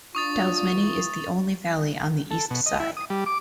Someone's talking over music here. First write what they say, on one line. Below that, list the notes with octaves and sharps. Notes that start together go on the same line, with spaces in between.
Dalsmynni is the only valley on the east side.
D4 F4 C#6 D#6 A6
E3 E4 F4
A4
B2
D#5
E4
D#6
G3
D6